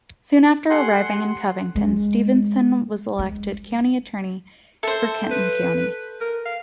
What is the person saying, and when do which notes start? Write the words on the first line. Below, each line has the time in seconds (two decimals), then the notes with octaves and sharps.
Soon after arriving in Covington, Stevenson was elected county attorney for Kenton County.
0.70 G4 A4 F#5 G#5 C6
1.76 G#3
3.19 G#3
4.83 A4 C5 E5
5.31 B4
6.21 A#4
6.45 F5